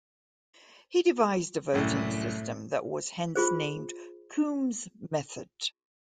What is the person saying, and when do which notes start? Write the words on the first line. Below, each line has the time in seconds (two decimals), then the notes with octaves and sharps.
He devised a voting system, that was hence named Coombs' method.
1.74 C2 F#2 A2
3.36 F4 G#4 C5